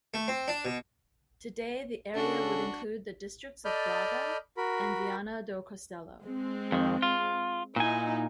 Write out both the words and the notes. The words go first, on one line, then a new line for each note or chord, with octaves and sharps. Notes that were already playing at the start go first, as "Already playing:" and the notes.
Today, the area would include the districts of Braga and Viana do Castelo.
A3
C4
D4
B2
C#3 C#4 D4 F#4 A4
A4 D5 D#5 B5 F6 G6
F#4 A#4 B5
G#3 C4
F2 D#3
F4
A#2 D#4 E4 G#5